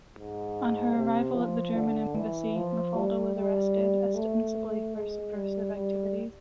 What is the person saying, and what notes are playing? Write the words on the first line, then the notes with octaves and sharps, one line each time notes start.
On her arrival at the German embassy, Mafalda was arrested, ostensibly for subversive activities.
G#2
C3
F3
D3
E3
F3
G3
G3
A3
G#3
G3
G3